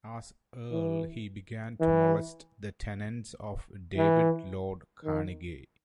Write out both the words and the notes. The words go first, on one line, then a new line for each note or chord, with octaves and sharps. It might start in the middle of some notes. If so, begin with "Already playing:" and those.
As earl he began to molest the tenants of David Lord Carnegie.
E3
E3
E3
D#3